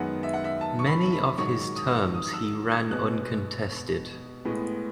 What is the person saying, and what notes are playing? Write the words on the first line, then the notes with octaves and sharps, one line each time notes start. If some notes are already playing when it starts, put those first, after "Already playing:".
Many of his terms he ran uncontested.
Already playing: F#2 D#3 G#3 B3 F#5
E5
F#5
E5
A5
C#6
B5
B5
G#2 D#3 F#3 C#6
D#6
D#6
E6
G#6
B2 G#3 B3 F#6
A2 G#3 B3